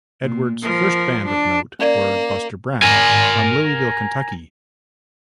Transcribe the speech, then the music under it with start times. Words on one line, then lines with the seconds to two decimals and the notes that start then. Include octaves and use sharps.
Edwards' first band of note were Buster Brown from Louisville, Kentucky.
0.22 A#2
0.62 F3 A#4
1.25 D4
1.79 A#3 C#4 D5
2.82 A#4 G#5